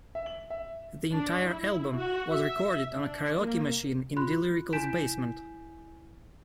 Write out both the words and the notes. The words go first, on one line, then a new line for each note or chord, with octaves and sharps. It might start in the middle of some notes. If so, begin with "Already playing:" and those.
The entire album was recorded on a karaoke machine in D-Lyrical's basement.
E5
F#7
E5
D4
E4
F#4
E5
D4
A#3
F4 B5 C6 F#6
E4 G#5 G6 B6 D7 E7